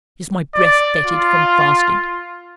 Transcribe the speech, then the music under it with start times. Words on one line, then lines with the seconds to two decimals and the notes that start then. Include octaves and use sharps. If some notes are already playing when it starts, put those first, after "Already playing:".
Is my breath fetid from fasting?
0.55 D5
1.05 F4